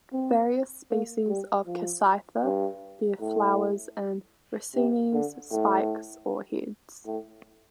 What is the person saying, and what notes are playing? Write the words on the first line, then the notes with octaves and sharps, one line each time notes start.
Various species of "Cassytha" bear flowers in racemes, spikes, or heads.
C4
A#3
G3
F3
G2
A2
C3
D3
A2
A2